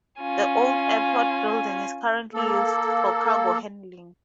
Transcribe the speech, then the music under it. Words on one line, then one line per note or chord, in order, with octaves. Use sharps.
The old airport building is currently used for cargo handling.
C#4 F4 G#5
A#3 A4